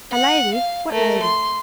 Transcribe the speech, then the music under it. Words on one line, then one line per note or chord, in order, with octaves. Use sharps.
"A lady--what lady?"
F#5
F5
A3 A#4
C6